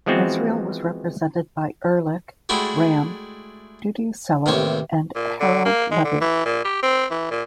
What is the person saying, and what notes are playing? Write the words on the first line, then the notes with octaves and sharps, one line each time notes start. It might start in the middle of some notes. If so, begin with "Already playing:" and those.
Israel was represented by Erlich, Ram, Dudi Sela, and Harel Levy.
E3 F3 G#3 B3 C4 F#4
G#3 A3 D4 E4 F#4 G4
A1 D#2 C3 C5 C#5
A#2
D3
A#3
G#3
D3
E3
A#2
G4
C4
E3
A#2